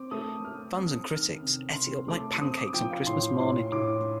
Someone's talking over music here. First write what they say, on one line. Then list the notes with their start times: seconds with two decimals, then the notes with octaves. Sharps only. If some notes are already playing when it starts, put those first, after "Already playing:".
Fans and critics ate it up like pancakes on Christmas morning.
Already playing: C4 D6
0.11 A3 D#6
0.45 A3 F6
0.77 C4 D#6
1.09 D#3 F6
1.43 C3
1.76 C3 C6
2.08 A3 D6
2.41 C4 D#6
2.58 D6
2.74 F3 G5
2.91 F5
3.07 A2 C6
3.40 A2 C6
3.72 A2 D6